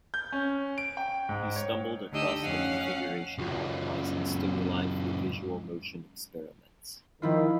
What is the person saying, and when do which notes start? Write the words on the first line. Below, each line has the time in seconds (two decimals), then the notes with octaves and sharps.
He stumbled across the configuration while devising stimuli for visual motion experiments.
0.14 G6
0.32 C#4
0.78 D7
0.97 G5
1.29 G#2
1.56 C#5
2.12 D2 D3 D#4 G4 D#5 E6
2.43 F2 C#4 F5 F#5
3.39 C#2 F#2
7.22 D#3 F3 E4 F4